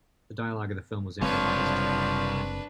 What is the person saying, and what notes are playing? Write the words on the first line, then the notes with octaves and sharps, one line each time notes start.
The dialogue of the film was improvised.
F#1 C2 F3 G#3 C4 D4 B4 C#5